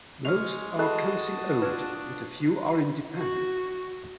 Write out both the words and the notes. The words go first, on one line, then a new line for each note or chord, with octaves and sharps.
Most are council-owned but a few are independent.
G#3 G#5 C#6 F6 F7
F#4 G#4 A4 D#5 A5 D#6 F#6
D4 F4 B4 C#5
F#4